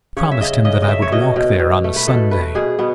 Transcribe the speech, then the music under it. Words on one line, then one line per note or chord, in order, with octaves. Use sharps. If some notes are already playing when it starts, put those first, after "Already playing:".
I promised him that I would walk there on a Sunday.
C#3 C#5
E5
C#3 D#5
C#3 D#5
D#5
A3 E5
C#5
B2 D#5
B2
B2
A3
B4
B2 A4
A3 B4
B2 G#4
B2 B3